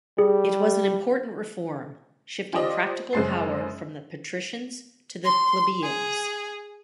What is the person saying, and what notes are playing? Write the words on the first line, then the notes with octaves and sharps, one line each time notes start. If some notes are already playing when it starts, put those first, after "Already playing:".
It was an important reform shifting practical power from the patricians to the plebeians.
G3 G#4
F4 G4 C5 D5 D#5
F#2 C#3 G#3 C5 A6 C7
C6
G#4